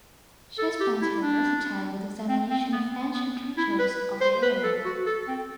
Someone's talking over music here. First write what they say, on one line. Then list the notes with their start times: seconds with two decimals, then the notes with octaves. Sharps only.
She spends her busy time with examination of ancient treasures of the area.
0.59 A4
0.81 G4
1.02 E4
1.23 D4
2.29 C4
2.51 C4
2.73 B3
3.14 B3
3.58 E4
3.79 B4
4.21 C5
4.43 B4
4.64 A4
4.85 F#4
5.06 A4
5.28 C4